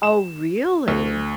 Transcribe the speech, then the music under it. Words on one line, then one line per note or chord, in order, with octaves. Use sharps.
Oh, really?
E7
D2